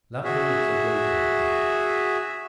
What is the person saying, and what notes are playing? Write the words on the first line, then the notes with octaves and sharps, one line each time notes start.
Lambole was a roadmaker.
F#4 G#4 E5